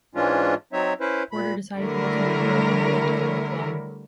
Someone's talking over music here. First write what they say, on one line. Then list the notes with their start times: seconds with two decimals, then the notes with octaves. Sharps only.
Porter decided to look to Europe in a bid to find a club.
0.15 G#2 E3 G#3 C#4 D4 F4
0.73 F#3 C4 D#4 C#5 E5
1.01 C#4 E4 B4 C5
1.32 A#2 B5
1.77 D3 G3 A3 E4 A#4 C#5